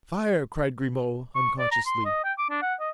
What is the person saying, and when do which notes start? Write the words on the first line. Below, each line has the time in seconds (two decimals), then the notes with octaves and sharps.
"Fire!" cried Grimaud, unconsciously.
1.35 C#6
1.59 D5
1.71 A#5
1.86 C6
2.05 D#5
2.24 G5
2.38 D6
2.50 D4
2.62 F#5
2.80 D#5